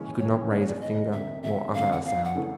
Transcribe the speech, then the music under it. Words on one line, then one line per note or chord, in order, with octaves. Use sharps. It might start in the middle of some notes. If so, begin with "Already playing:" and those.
He could not raise a finger nor utter a sound.
Already playing: D#2 C#3 E3 G#3 C#4
D#2 C#5
C#3 E3 G#3 C#4 D5
C#5
D5
G1 D#5
F2 D3 G3 A#3 E5
G1 E5
F2 D3 G3 A#3 F5
F#5
E2 F5
F#5
C#3 E3 A3